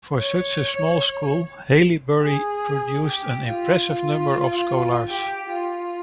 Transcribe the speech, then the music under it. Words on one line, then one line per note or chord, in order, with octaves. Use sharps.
For such a small school Haileybury produced an impressive number of scholars.
C#5
G#4
G4
F4
F4
G4
F4